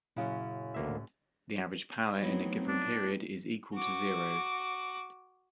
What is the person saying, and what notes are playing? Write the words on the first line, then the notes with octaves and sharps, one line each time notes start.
The average power in a given period is equal to zero.
F#2 A#2 C#3 E4 F5
D2 A#3 E5
A2
F#3 A3 B3 C4 D#4 E4
D4
F#4 D6